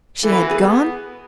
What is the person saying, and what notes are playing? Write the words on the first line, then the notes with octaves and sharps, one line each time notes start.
"She had gone?"
E3 A4
B4
F#4
G#4
B3